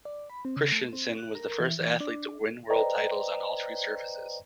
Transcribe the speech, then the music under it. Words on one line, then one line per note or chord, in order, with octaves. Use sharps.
Kristiansen was the first athlete to win World titles on all three surfaces.
D5
B5
C4
C#3
A3
C4
F#6
A#4
E3
E3
D4
B4 C5 D5 D#5 G5 A#5